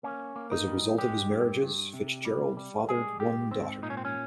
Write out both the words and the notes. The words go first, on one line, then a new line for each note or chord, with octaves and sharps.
As a result of his marriages, Fitzgerald fathered one daughter.
A#3 C#4
A#3
D#4
G3
G#3 G4
G2
G2
C3
G3
G3
G#3 G#4
G#2 G4
G#2 C4
A#2 D#4
C#4
C4
C#4